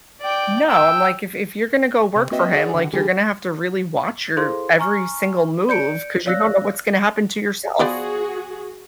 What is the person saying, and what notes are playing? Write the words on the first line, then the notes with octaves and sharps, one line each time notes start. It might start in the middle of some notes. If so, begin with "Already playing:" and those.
No, I'm like, "If if you're gonna go work for him, like, you're gonna have to really watch your every single move 'cause you don't know what's gonna happen to yourself."
D5 G5
G5 E6
C3
A#3 C4 F#4 B4 D#5 E5
F#4 G#4 C#5 D5 F#5
D3 D#3 F#3
D3 G3 G4 G#4
E4 G#4 A4 C5 F5 C6
G#5 A#5 C#6 F6
D5 G6 C#7 D7
C#5 D5 F5 E6 F#6 A#6
F3 B3 F#4 G#4 D5